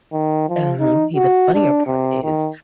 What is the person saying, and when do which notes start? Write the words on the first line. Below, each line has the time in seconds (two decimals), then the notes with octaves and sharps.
Um, he the funnier part is
0.12 D#3
0.48 F3
0.80 D#4
1.15 F#4
1.54 D4
1.87 C3
2.23 D#3